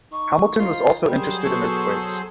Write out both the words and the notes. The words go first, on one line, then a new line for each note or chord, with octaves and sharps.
Hamilton was also interested in earthquakes.
D#4 C#6
D#4 F4 C5
F#3 G3 G#4 A#4 C5
B2 A4 C#6